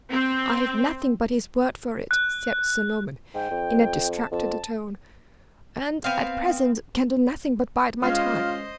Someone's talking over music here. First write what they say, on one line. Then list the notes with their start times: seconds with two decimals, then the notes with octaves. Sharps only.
"I have nothing but his word for it!" said Sir Norman, in a distracted tone, "and, at present, can do nothing but bide my time."
0.12 C4
2.11 F#6
3.34 G#2 G5
3.51 F2
4.15 A5
4.31 F2 A5
6.04 B3 C4 F5
8.03 G#3 C#4 F4 C5 D#5 F5